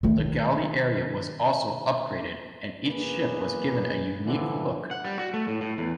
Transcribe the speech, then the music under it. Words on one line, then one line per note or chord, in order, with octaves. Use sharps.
The galley area was also upgraded and each ship was given a unique look.
D#3 A3
E2 A#3 G#4 B4
A2 D3 E3 F3
F#5
G3
F#4
A3
A2
A2
E2